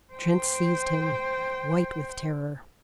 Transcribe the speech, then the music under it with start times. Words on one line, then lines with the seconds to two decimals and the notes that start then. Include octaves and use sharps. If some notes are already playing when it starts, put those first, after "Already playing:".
Trent seized him, white with terror.
0.13 C5 G5